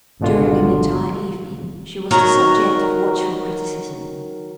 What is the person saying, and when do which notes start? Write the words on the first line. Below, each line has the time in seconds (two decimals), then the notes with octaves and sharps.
During an entire evening she was the subject of watchful criticism.
0.20 G#1 C#2 B2 D3 F4
2.11 D#3 F#3 F#4 A#4 A#5